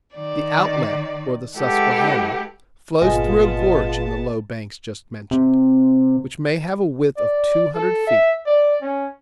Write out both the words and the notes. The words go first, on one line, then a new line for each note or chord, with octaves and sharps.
The outlet, or the Susquehanna, flows through a gorge in the low banks just mentioned, which may have a width of two hundred feet.
D#3 D5
G#3 E4 G4 A4 B4 F#5
G1 A#2 B3 F4 G#4 D#5 A5
C3
D5
A4
E5
D5
C#4